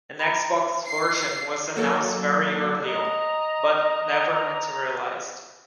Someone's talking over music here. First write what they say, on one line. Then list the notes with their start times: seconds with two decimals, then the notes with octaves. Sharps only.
An Xbox version was announced very early on, but never materialized.
0.19 A#5 B5
0.86 C7
1.76 F#3 A#3 A4
2.85 D#5 A#5